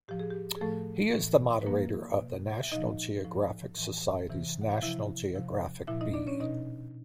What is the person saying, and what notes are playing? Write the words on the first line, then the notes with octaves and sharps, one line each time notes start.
He is the moderator of the National Geographic Society's National Geographic Bee.
A2 F3 G4
G#4
G4
G#4
A2 F3 A3 A4
A2 E3
B4
A#2 F3 A#3 A#4
B2
E5
A#2 F3 D#4 D#5
A2 F3
A2 E3
C3 E3
F#5
F5
C3 F3 E4 E5
C3 F3
A#2 F3 E4 E5
D#4 D#5
D4 D5
C#4 C#5
B2 D#4 D#5